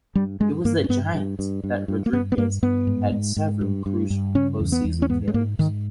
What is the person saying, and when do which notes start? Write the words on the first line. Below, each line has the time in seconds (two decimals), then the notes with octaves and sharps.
It was with the Giants that Rodriguez had several crucial postseason failures.
0.15 G2 G3
0.40 G2 G#3
0.65 G2 A#3
0.84 C#4
0.89 G2 B3
1.14 G2
1.39 G2
1.64 G2
1.88 G2
2.06 A#3
2.13 G2 B3
2.32 B3
2.37 G2 A#3
2.62 G2 B3
2.87 G#2
3.12 G#2
3.37 G#2
3.61 G2
3.86 G2
4.10 G2
4.35 C#3 C#4
4.60 E2
4.72 B3
4.85 E2
5.02 C#4
5.10 G#2 B3
5.28 G#3
5.34 G#2 A#3
5.59 G#2 D#3